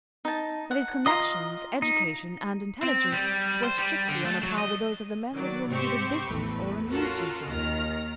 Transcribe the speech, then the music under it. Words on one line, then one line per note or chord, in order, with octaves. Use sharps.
But his connections, education and intelligence were strictly on a par with those of the men with whom he did business or amused himself.
D#4 A5
F#5
F4 D#5 A#5 D#6
D#4
C4
G3
C5
G3
D3
A3
F#3
D#5
D#3 F#3 D5
G#2 C3 C4 G4 C5 C#6
A1 E2 A3 B4
C#4 F4 F#4 A4 A#4
D#2 D#3 F6 A#6